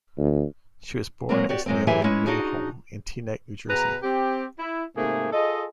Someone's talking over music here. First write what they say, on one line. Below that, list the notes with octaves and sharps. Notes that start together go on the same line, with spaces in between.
She was born as Leonie Milhomme in Teaneck, New Jersey.
D2
F#3 G#3 A#3 C4
F#4 G4 D5
F#2 G#3 C4
F#2 E3 G4 G#4 E5 G#5
G#3 C#4 E4
D4 D#4 F#4 G#4
B2 G#4 B4 A#5
C4 G4
E4
G#2 C3 A3 A#3 G#4
F4 G#4 A4 D#5